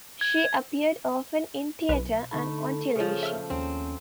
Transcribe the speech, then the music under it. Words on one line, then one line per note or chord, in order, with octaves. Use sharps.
She appeared often in theatre and on television.
G#6
B1 B4
D3 A3 D#4 B5
C#3 F3 G#4 C5 C#5
E5 F6
D#2 C4 C#4